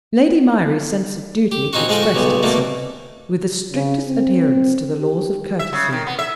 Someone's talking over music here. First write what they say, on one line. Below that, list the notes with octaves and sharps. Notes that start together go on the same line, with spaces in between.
Lady Myrie's sense of duty expressed itself, with the strictest adherence to the laws of courtesy.
G4
C4 C#4 D#4 F4 F#4
F3 G#3 G#4 A4 G5
F#4
B1 C#3 G3
B2 D3 A3 A#3
C#3
C4
G4
E5
C#3
D#3
B3
E5